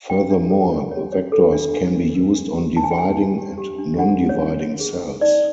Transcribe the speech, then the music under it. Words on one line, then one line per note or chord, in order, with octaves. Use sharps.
Furthermore, the vectors can be used on dividing and non-dividing cells.
D4 G5
D4
A4
C#5
C#5
C#5
A4
D4
D4
D4
A#4
D4
G4
D4 A5
G#5
G5
A#4 G#5
D4
G4
G4
D4
D4 F#5
D4
C#5
D4
C#5
G#4
D#4
D#4 D5